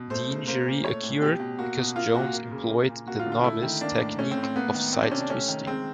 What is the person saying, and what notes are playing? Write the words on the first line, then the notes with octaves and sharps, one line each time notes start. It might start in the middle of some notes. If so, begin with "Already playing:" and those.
The injury occurred because Jones employed the novice technique of side twisting.
Already playing: B2
A3 C5
C#3
A#3 C5
A#2
A3 C#5
A2
B2 G4
B2
A#3 F#4
B2
A#3 F4
A#2 F#4
A#3
C#3
A#3
A#2
A#3 F#4
F4
D3
F4
A3 E4
D#3
A#3 D4
A2
A3 C#4
C4
A2
C4
A#3 B3
D#3
A#3 C4
D4
C3 C#4
D4
A3 C#4
D#3
G#3 C4